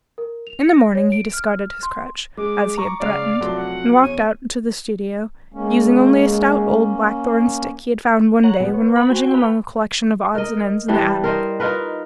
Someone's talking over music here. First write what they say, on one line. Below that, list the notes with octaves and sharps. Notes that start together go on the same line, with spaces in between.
In the morning he discarded his crutch, as he had threatened, and walked out to the studio, using only a stout old blackthorn stick he had found one day when rummaging among a collection of odds and ends in the attic.
A#4
F7
C#7
A#6
C#5
D7
F6
F6
C6
G#3 D6
A#5 C#6
C#3 G#3 D5 F5
C2 F3 F#3 A3 C6
F#5
E2 C#5 D#7
G#3 A#3 C#4
C#5 F#5 A#5 F#6
A#2 F#3 G#3 B3
C#5
F#5 B5
F#4 C5 G5 G#5
B4 F5 G5 B5
A#4 D#5
E3 G3 D4
A#4 C5 D#5
D#4 F4 A#4 B4